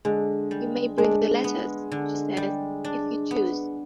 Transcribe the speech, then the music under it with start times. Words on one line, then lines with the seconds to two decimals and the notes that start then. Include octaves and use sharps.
"You may bring the letters," she says, "if you choose."
0.05 D3 G#3
0.51 G3
0.98 G#3 D4
1.44 B3
1.92 D3
2.37 G3
2.84 D4
3.31 B3